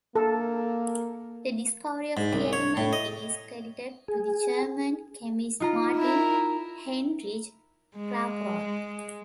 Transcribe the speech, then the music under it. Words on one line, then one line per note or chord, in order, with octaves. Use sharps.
The discovery of the element is credited to the German chemist Martin Heinrich Klaproth.
A#3 A4
G#2
C2
C#5
A2
D#5
G#4
D#4 F4 A#5
E4 A#4
G#3